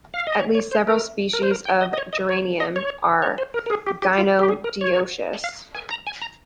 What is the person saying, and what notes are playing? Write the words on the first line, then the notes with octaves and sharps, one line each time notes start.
At least several species of "Geranium" are gynodioecious.
F5
D#5
C#5
C#5
C5
A#4
A#4
C5
A#4
G5
D#5
D#5
C#5
D#5
C#5
D#5
C#5
C#5
C5
A#4
A#4
G#4
G4
G4
F4
G4
G#4
A#4
C#5
F5
G#5
A#5
G#5
A#5